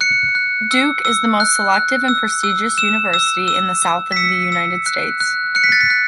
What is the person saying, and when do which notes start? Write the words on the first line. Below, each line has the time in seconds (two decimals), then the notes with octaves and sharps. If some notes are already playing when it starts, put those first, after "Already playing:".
Duke is the most selective and prestigious university in the south of the United States.
0.01 F#6 C#7
0.35 F#6
0.71 E6
1.05 E6
1.40 F#6
1.74 F#6
2.08 E6
2.43 E6
2.78 E6 E7
3.14 E6
3.48 E6
3.82 E6
4.12 B6
4.16 E6 C#7
4.52 E6
4.86 F#6
5.20 F#6
5.55 F#6 C#7
5.64 B6
5.72 A6
5.81 B6
5.90 F#6